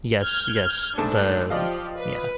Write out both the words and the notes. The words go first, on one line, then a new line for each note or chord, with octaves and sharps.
Yes, yes. The yeah.
F6 G6 G#6
G#2 A3 D4 A5
F3 G4 D5 D#5 F5
B4